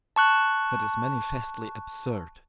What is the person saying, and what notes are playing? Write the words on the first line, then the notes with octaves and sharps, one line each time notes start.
That is manifestly absurd.
A5 C#6 F#6